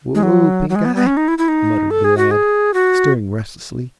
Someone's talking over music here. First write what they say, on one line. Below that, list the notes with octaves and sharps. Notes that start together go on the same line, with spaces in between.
"Whoa, Pink-eye!" muttered the lad, stirring restlessly.
G#3
F#3
F#3
G#3
B3
B3
C#4
D#4
E4
E4
D#4
A4
G#4
F#4
G#4
F#4